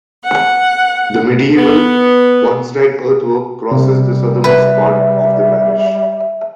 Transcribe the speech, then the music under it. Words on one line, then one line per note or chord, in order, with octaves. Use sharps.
The medieval Wansdyke earthwork crosses the southernmost part of the parish.
F#5
B3
C3 G3
B4 E5